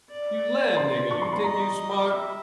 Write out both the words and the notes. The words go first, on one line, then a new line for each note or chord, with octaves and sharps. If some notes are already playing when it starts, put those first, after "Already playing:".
"You lan' niggah, you tink you smart!"
D5
C6
C#6
C6
B5
D#5 A#5
E5